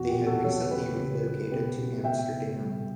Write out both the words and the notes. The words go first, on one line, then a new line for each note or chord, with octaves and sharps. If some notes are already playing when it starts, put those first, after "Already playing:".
They had recently relocated to Amsterdam.
Already playing: E2 B2 F#4
G4
E2
F#4 A4
F#3 A4 C#5
C#3 G4 B4
C#2
F#3
B2 G4 B4
B2
B2 E5 G5
C#2
G3